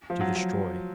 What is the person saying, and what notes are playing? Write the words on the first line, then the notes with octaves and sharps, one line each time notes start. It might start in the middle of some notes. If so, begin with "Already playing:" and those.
To destroy.
F3
F#3
F#3